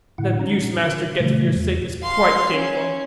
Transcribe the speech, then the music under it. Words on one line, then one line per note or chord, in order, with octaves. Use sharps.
The abuse master gets for your sake is quite shameful.
A2 D3 E4 F#5
C#4 D#4 A#5
A#2
D3 F4 A#4
A#2 C#3 E3 F3 G3 A3
E2
F5 C6
C#4